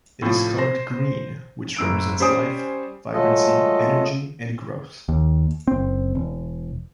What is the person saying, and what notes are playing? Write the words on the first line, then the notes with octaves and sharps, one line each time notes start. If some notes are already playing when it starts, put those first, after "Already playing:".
It is coloured green, which represents life, vibrancy, energy and growth.
A2 C3 F3
C5 A#6
F#1 E6 D7
G3 C#4 C5 G#5 D#6 D7
F#3 G#3 A3 F4 A4 D#5
D#2
F#1 C4
E1